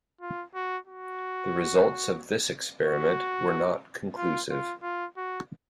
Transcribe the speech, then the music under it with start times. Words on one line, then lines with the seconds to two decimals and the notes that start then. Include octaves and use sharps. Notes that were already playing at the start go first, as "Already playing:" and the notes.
The results of this experiment were not conclusive.
0.21 F4
0.55 F#4
0.88 F#4
2.85 F#4
4.17 F4
4.51 F4
4.83 F4
5.17 F#4